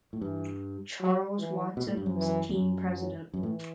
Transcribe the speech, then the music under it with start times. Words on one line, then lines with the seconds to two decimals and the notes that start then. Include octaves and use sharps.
Charles Watson was team president.
0.13 A2
0.21 G2 E3
1.00 F#3
1.39 E3
1.77 B2
1.87 A2
1.97 G2
2.06 F#2
2.16 E3
2.49 E2
2.55 F#2
2.94 F#3
3.34 F#2 E3
3.43 A2